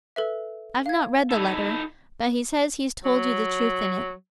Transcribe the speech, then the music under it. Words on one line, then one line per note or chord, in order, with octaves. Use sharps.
I've not read the letter, but he says he's told you the truth in it.
A4 B4 E5
F5 G#6
D#4 E4 A4
F#3